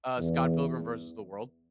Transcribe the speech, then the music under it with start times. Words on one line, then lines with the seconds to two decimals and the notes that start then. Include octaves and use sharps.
Uh, Scott Pilgrim vs. the World.
0.19 E2